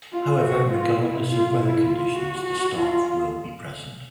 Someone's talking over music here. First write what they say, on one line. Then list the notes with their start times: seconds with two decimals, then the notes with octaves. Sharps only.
However, regardless of weather conditions, the staff will be present.
0.13 F4
0.41 F#4
0.71 F4
1.00 E4
1.29 F4
1.58 E4
1.87 F4
2.17 F#4
2.45 F#4
2.75 F4